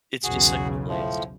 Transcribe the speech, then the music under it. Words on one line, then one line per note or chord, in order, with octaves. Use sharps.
it's just such a blast.
B1 E2 C#3 F#4 G#4
A2 F3